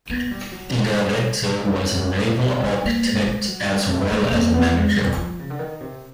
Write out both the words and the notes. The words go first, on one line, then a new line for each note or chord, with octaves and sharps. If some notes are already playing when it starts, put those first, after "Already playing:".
The Director was a naval architect as well as a manager.
B3
G3
F#3
F#3
A#3
G#3
G3
G#3
F#3
G3
A3
A3
A#3
B3
G#3
G3
F3
C#3
D3
D#3
C3